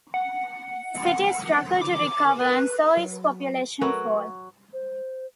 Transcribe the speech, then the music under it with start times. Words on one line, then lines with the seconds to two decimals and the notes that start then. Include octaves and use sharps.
The city struggled to recover and saw its population fall.
0.14 F#5
1.81 D6
2.41 B4
2.97 F#3
3.81 F#3 A3 A#4 B4
4.73 C5